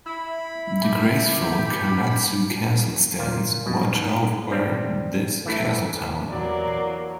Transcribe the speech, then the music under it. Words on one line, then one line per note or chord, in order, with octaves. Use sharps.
The graceful Karatsu Castle stands watch over this castle town.
E4 B5
G4
A#2 F5
B2
G#2
G3 C4
E3 A3 E4
E2 C3 E3 F#3 A#3 D5